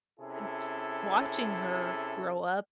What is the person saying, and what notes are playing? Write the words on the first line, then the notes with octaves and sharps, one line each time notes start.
and ch watching her grow up
C3 C#4 E4 G#4 A4